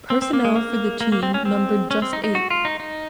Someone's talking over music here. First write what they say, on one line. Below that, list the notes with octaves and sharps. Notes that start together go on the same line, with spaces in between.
Personnel for the team numbered just eight.
C4
C4
A#3
G#3
A#3
A#3
A#3
C4
C#4
C4
C#4
C4
D#4
D#4
F#4
F4
D#4
D#4